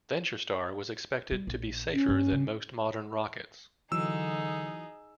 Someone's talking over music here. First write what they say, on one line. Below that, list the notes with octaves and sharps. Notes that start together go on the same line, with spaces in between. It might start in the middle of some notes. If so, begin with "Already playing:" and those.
VentureStar was expected to be safer than most modern rockets.
G3
A#1
C#4
G2 A#3
C#3
D3 E3 F#3 D#4 G#4 E6